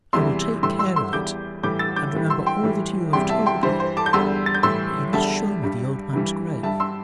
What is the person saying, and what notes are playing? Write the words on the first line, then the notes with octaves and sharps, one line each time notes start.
"I will take care of it, and remember all that you have told me; but you must show me the old man's grave!"
E2 C3 E3 G3 C6 E6
A2 E3 G3 C6 E6
C6 E6
C6 E6
E2 E3 G3 D6 G6
A2 E3 G3 D6 G6
E6 A6
D6 G6
A2 E3 G3
C6 E6
G5 C6
A2 E3 G3
E2 C3 E3 G3 G5 C6
E5 A5
G5 C6
G2 E3 G3 C5
C5
A5 D6
G6
E2 D3 G3 C6 E6
A6
G6
A2 E3 G3 C6 E6
E2 D3 G3 E5 A5
G2 G3
G2 E3 G3
G2 G3 E5 A5
C6 E6